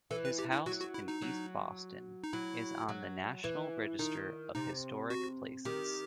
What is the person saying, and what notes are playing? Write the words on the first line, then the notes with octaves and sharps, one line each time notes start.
His house in East Boston is on the National Register of Historic Places.
E3 A4
B4
G4
E4
F#3 F#4
F#4
E4
D#4
F#3
D#4
F#3 E4
F#3
E3
D#3 D#4
C3 D#4
F#4
D#3 G4